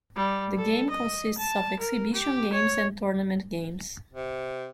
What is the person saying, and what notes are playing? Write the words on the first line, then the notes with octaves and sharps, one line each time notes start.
The game consists of exhibition games and tournament games.
G3
A4
D#5
A5
A#4
G4
C#5
C3